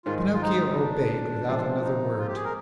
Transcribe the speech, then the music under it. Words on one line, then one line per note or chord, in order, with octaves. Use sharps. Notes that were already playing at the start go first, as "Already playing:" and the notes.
Pinocchio obeyed without another word.
G#2 D#3 G#3 F4
F4
D#4
C4
D4
F3 G#3 C4
D#4
F4
G4
G#4
A#4